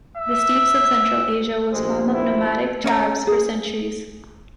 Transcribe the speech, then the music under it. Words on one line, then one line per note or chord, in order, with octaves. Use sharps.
The Steppes of Central Asia was home of nomadic tribes for centuries.
E5
A#1 G#3 G4 C5
E4
C#4 C#5 D5 A#5
G#4